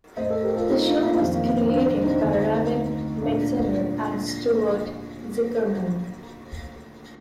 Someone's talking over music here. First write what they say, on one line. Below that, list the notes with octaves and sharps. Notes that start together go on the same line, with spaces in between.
The show was created by Raven Metzner and Stuart Zicherman.
A2 A3 C5 D#5
A4 C5
G4 A#4
F4 A4
D#4 G4
D4 F4
A#3 D4
F2 C3 D#3 C4
A#3
A#3
C4
A#3 D4
A#3 D4
C4 D#4
D2 D3 A3
A#2 A3 A#3 D4